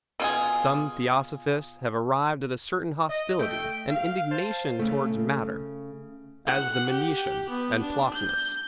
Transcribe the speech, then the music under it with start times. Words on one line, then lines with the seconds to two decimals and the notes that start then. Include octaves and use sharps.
Some theosophists have arrived at a certain hostility and indignation towards matter, as the Manichean and Plotinus.
0.20 B2 F4 G#4
3.10 D#5
3.40 A3 G5
3.90 F5
4.32 C5 A5
4.79 C#3 A3
6.46 F#5
6.89 G4
7.50 B3
7.81 D4
8.14 G6